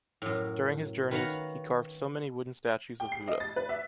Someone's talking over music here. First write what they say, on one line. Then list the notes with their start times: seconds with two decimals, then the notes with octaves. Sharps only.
During his journeys, he carved so many wooden statues of Buddha.
0.22 F#2 A2
1.11 D#3 B4 C#5 F5 F#5 A#5
3.00 G5
3.12 C7
3.28 D#5
3.40 A6
3.56 B4
3.69 E5